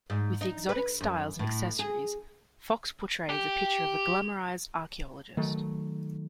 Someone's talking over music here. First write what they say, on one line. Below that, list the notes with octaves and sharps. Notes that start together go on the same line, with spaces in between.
With the exotic styles and accessories, Fox portrays a picture of a glamorized archaeologist.
G#2
D#4
B4
F#2
A2
G#4
G4
D#3 F#3 A3